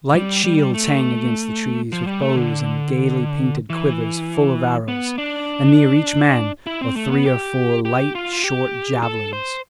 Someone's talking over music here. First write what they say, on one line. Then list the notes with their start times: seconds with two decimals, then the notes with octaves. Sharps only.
Light shields hang against the trees with bows and gaily painted quivers full of arrows, and near each man are three or four light short javelins.
0.15 G3
0.44 G3
0.74 A3
1.92 F3
2.07 G3
2.22 A3
2.36 D3
3.70 E3
4.88 B3
5.18 D4
6.67 E4
6.82 C4
6.96 A3
7.11 B3
7.26 G4
7.85 G4
8.15 F4
8.44 G4
9.03 A4
9.33 C5